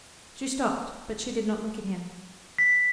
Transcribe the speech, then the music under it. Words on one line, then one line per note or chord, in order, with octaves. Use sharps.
She stopped, but she did not look at him.
B6